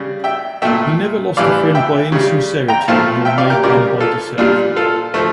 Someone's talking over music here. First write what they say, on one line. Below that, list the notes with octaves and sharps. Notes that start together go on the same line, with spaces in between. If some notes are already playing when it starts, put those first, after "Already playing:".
He never lost a friend by insincerity nor made one by deception.
Already playing: C#3 G3
E5 G5
A#2 A3 E5 G5
A2 E3 G3 D5 F5
E5 G5
C#3 G3
G5 A#5
A#2 F3 A3 F5 A5
E5 G5
D5 F5
G4 A#4
C#3 G3 A#4 D5
F4 A4
A#2 G3 D4 F4
F4 A4
F3 A3